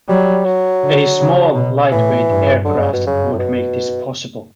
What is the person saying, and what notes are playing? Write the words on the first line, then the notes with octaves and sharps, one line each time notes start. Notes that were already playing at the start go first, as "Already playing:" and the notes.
A small, lightweight aircraft would make this possible.
F#3 G3
F#3
D3
C#3
B2
A2 E3
G2
F#2 D3
C#3
B2
F#2 C#3
A2
B2